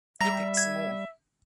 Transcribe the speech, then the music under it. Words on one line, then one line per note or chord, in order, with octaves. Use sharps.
He picked some more.
G3 E5 A#5 A#6
G#6